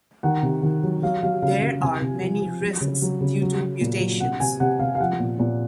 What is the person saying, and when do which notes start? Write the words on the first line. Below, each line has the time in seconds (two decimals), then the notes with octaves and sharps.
There are many risks due to mutations.
0.23 D#3 F#5
0.42 C3
0.63 D#3
0.83 F#3
1.03 F#3 F5
1.23 F#3 F5
1.42 C#3 F5
1.62 C#3
1.82 C3 G#5
2.01 C3
2.22 F3
2.42 F3
2.62 F#3
2.81 C#3
3.02 F#3
3.21 C#3
3.42 F#3
3.60 F#3
3.81 A#2
4.00 F#3
4.20 C3 F#5
4.40 C3 G#5
4.60 C3 F#5
4.79 C3 F5
4.95 F5
5.00 F3 F#5
5.20 A#2
5.39 A#2